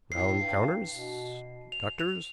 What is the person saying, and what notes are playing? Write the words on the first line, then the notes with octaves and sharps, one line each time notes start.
Round counters--doctors.
A2 C7
G2
B2
F7
F7